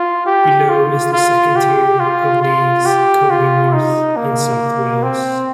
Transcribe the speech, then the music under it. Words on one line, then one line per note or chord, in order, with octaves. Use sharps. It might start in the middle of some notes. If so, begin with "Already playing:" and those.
Below it is the second tier of leagues, covering north and south Wales.
Already playing: F4
G4
F4
F4
G4
F4
F4
G4
F4
D#4
A#3
C4